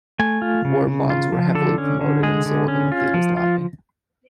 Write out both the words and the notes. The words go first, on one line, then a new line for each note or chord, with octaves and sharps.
War bonds were heavily promoted and sold in the theater's lobby.
A3 G#5
F4
C#3
C#3
F4
F3
D3 A4
C#4
D3
G#3 G#4
D3
C#4
F4
F3
F4